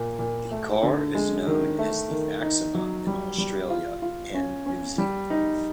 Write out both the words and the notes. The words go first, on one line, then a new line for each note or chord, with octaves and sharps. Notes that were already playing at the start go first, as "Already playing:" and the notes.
The car is known as the Maxima in Australia and New Zealand.
Already playing: A#2
A#2
A3
D3
G#3
D#3
A3
D#3
D#4
F#3
G3
G3
F4
F4
C#4
C#4
G3
D#4